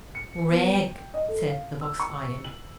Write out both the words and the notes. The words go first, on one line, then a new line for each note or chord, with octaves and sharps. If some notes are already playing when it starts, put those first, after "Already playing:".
"Rag!" said the box-iron.
C#7
B3
G5
D#5
A4
F5
E6
C#6
F#7